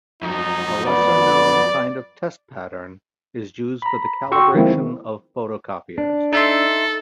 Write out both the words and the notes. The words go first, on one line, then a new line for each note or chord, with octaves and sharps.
A lesser-known kind of test pattern is used for the calibration of photocopiers.
F2 F#3 D#4
B3 D5
A#5 B5
F#4 G5 C6 C#6 E6
D#3 F3 G#3 A#3 C4 E4
D4
D#4 A4 E5 C6